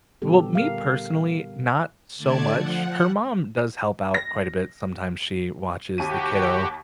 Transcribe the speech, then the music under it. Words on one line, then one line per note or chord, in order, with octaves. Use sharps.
Well, me personally, not so much. Her mom does help out quite a bit. Sometimes she watches the kiddo,
A#2 D3 G3 B3 G4 A4
A#4 F5
D3 A3 D5 A5 G#6
F3 F#5
A#6
D#2 F#4 G4 D#7